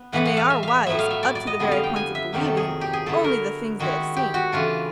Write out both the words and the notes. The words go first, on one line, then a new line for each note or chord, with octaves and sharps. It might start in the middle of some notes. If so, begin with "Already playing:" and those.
And they are wise up to the very point of believing only the things they have seen.
Already playing: B3
A2 E3 G#3 C#4 F#5
F#5
F5
E5
E5 F5
A2 F#3 B3 E4 E5
F5
E5
D5
D5
D#5
F2 D3 G3 B3 D4
F5
G5
G#5
E5
F2 C3 D#3 F#3 A#3
A4
G#4
G4
G#4
D3 F#3 B3 E4 A4
A#4
D#3 G#3 C#4 E4 F#4
G4
F#4
C#3 E3 A3 D4 F4